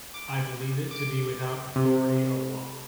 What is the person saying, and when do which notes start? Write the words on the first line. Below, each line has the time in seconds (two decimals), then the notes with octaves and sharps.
I believe it to be without authority of law.
0.14 D6
0.91 D6
1.76 C3